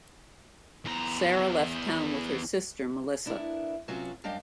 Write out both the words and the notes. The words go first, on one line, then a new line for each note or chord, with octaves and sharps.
Sarah left town with her sister, Melissa.
E2 A#5
B3 D4 E4 A#4
C3 F#3 B3 C#4 F4 F#4
F#2 G3 D4 D#5 F5 G5